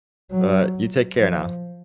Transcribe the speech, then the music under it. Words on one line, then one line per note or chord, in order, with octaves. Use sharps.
But, you take care now.
F#3
F3